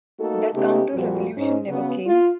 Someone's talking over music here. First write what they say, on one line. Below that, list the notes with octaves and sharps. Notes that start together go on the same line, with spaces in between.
That counter-revolution never came.
A3 A#3 D#4 F#4 A4
C#3 G#3 A3 B3 D#4 G4
F2 A#2 F3 G3 F#4
G#2 C#4 D#4
C#3 F#3 B3
F4